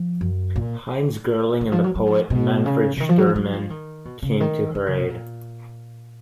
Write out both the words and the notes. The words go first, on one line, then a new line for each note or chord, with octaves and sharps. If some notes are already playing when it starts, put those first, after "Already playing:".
Heinz Gerling and the poet Manfred Schturmann came to her aid.
Already playing: F3
F#2
A#2
D#3
F3
F#3
F#3
F3
B2
C#3
C#3
D#3
F3
F#3
F3
F#3
F3
D#3
B2
C#3
D#3
D#3
C#3
B2
A#2